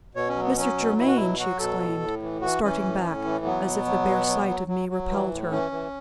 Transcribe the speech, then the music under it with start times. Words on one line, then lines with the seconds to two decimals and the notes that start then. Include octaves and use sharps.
"Mr. Germaine!" she exclaimed, starting back, as if the bare sight of me repelled her.
0.15 B2 C#5
0.29 C#4
0.36 F#3
0.43 B3
0.56 F#3 C#4
0.77 B2
0.98 B2 E4
1.08 F#4
1.16 F#3 E4
1.39 F#3 F#4
1.59 B2 A4
1.81 A2
2.01 A2
2.22 E3
2.41 E3 F#4
2.63 E3 C#4
2.83 A2
3.04 A2
3.24 E3
3.45 F#3 B3
3.66 B2
3.86 F#3
4.07 B2
4.27 F#3
4.48 F#3
4.68 F#3
4.89 F#3
5.10 E3
5.30 A2
5.51 E3 C#4
5.72 E3